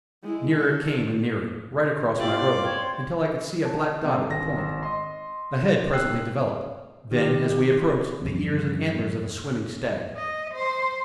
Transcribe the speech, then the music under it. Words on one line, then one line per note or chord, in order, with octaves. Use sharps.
Nearer it came and nearer, right across my road, until I could see a black dot at the point, a head presently developed, then as we approached the ears and antlers of a swimming stag.
G#3 E4
A4
C#4 E4 F4 G4 D5
C5 C#5 G5 C6 G#6
A5
C3 C4 D4 A4
G#1 A#6
G#1
D#5 C6
G5 E6 F#6 C7
D#3 G4
E2 G2 F3 C4
D#5
C5